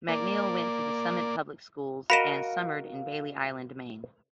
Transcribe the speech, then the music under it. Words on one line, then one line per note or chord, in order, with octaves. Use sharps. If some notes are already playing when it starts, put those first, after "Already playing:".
MacNeille went to the Summit Public Schools and summered in Bailey Island, Maine.
A#3 D5
F#4 A#4 D#5 F5 B5 B6 E7